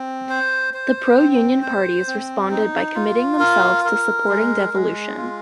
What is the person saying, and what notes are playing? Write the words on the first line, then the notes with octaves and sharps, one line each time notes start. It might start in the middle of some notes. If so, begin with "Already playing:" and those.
The pro Union parties responded by committing themselves to supporting devolution.
Already playing: C4
C5
C5
C4
C5
C4
D#4
F4
A#4
A#4
G#3
G#3
F4